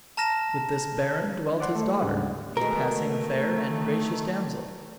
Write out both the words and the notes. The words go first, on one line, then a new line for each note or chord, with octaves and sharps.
With this baron dwelt his daughter, a passing fair and gracious damsel.
A5 A#5 F6 A#6 E7
C5 D5 F#5 C6
A3 A4
D2 G#2 C#3 G3 D4 F#5
B2 D#3 G#3 A3 A#4